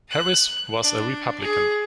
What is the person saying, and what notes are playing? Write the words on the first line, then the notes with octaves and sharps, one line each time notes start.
Harris was a Republican.
F#6
D4
G#4